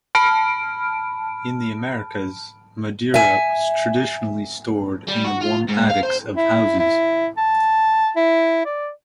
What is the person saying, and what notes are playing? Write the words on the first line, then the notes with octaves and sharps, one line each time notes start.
In the Americas, Madeira was traditionally stored in the warm attics of houses.
A5 B5 F6 D7
E5 G#5
G3
F#4
F4
G#2
F5
C5
E4
E4
A5
E4
D5